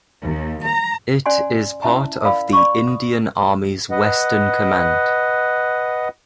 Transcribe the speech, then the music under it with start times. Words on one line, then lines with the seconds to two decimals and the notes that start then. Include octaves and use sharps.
It is part of the Indian Army's Western Command.
0.22 D#2
0.64 A#5
1.26 C#4 D5 F#5 G#5 C6
1.82 C#4 E4 E5 A5 A#5
2.23 A#4 D5 F5 B5
2.53 D5 B5 C#6
2.87 D#6
3.91 B4 D#5 F#5